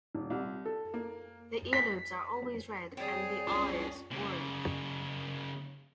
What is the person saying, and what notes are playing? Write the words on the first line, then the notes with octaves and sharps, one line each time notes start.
The earlobes are always red, and the eyes orange.
D#1
C2
A4
A#3
B6
G3 C4 G#4 C#5
C2 C#4 D4 F4
C#3 A#3